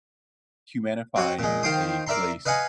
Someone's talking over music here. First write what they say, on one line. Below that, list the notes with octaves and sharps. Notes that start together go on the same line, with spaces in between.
humanifying a place
C4 F#4 C#5 F#5
A#2 G#3
D#3 F4 C5 G5 C6 D#6
A#4 D5 E5 A#5 C6
B4 D#5 F5 F#5 G#5